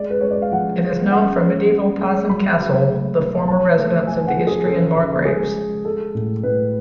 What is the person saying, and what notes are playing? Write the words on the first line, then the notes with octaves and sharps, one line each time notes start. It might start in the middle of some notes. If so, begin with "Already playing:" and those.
It is known for medieval Pazin Castle, the former residence of the Istrian margraves.
Already playing: G#3 D5
B4
G#3 C#5
D5
F5
F3 F#5
G#3
C#4 F#5
G#3
G#3
G#3
F#3 B5
F#3
A3
B2
F3 A5
A3
F3 G#5
F#5
F3
G#4
C#3 A4
C#3
G#3 G#4
G#3
G#3 A4
A2
A2 B4